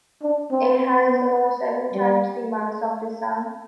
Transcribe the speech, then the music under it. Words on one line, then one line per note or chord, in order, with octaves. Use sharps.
It has about seven times the mass of the Sun.
D4
C4
B3
G3